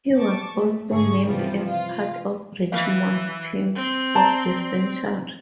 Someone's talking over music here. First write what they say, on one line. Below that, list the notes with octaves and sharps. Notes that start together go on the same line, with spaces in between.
He was also named as part of Richmond's team of the century.
A5 C#6 D6
A3
G#2 D3 G#4 C#6
G2 C3 E3 F3 G3
F4
E3 F5
C4
D5 A5 A#5